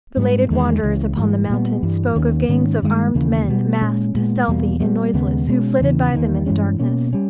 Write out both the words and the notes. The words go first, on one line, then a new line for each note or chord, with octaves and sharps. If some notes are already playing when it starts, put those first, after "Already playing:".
Belated wanderers upon the mountains spoke of gangs of armed men, masked, stealthy, and noiseless, who flitted by them in the darkness.
G#2 G3 B3
E2 D#3 G#3
C#2 C#3 E3
G#2 E3 G3 A#3
A#2 G3 B3
G2 E3 G3
D#2 D#3 A#3 C#4
G#2 D#3 A#3 C#4
G2 D#3 G#3
D#2 C#3 E3 A#3
B2 G3 B3
A#2 G#3 C#4
A#2 G#3 B3
E2 B2 G3 A#3
A#2 G3 B3
D#2 C#3 G#3 B3
B2 G#3 C#4
E2 C#3 E3
E2 D#3 G3 A#3
G2 E3 G#3 C#4
B2 A#3 C#4
G3 C#4